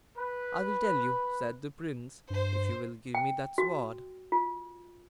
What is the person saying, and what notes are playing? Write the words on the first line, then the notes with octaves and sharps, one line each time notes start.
"I will tell you," said the prince, "if you will give me that sword."
B4
G2 C5
G5
F#4
F4